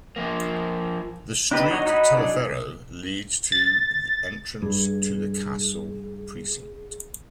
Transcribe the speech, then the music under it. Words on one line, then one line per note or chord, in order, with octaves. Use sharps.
The street "Tallaferro" leads to the entrance to the Castle precinct.
F3 A#3
D4 D#4 G4 B4 D5
D4 D#4 F#4 C#5 D#5
D#4 F#4 D#5 G5 B5
F#3 D4 D#4 G#4 D5
A6
G2 G#4